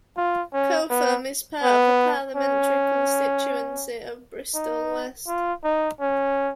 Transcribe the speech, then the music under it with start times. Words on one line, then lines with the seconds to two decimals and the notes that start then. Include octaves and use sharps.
Cotham is part of the parliamentary constituency of Bristol West.
0.17 F4
0.53 C#4
0.90 B3
1.63 B3
2.35 C#4
4.54 D#4
5.27 F4
5.64 D#4
6.00 C#4